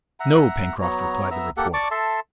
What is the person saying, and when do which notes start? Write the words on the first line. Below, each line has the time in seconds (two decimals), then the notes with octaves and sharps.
"No, Pencroft," replied the reporter.
0.20 E5 F#5 A#5
0.81 F#3 B3 C#5 A#5
1.31 B3 E5 A#5 E6
1.57 A#3 G4 A4 F#5
1.74 D5 A5 C#6 D6
1.91 A4 E5 A5 C6